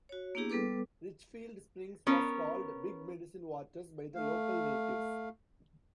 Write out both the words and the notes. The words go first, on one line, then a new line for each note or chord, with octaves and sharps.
Richfield Springs was called "Big Medicine Waters" by the local natives.
F#4 C#5
A#3 B3 D4 E4 G4 G#4
G3 B3 A4 B4 D6
B3 C#4 A#4
A3 F5